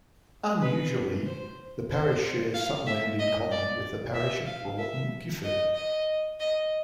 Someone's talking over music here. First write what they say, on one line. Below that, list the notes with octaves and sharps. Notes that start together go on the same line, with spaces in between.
Unusually, the parish shares some land in common with the parish of Broughton Gifford.
B4
C5
C5
F5
E5
D#5
D5
E5
F5
E5
D#5
D#5
D#5